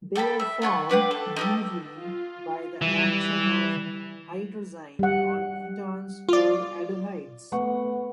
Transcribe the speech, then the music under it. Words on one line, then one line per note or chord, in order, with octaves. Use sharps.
They are formed usually by the action of hydrazine on ketones or aldehydes.
A4 G5 A5 B5
E5
F4 F#5 G#5 C#6
D4 B4 F#5 G5
A4
D#4 G4 A4
F4
E3 G3
G3 F#5
F4 D5
A3 B3 B4 F#5 C#6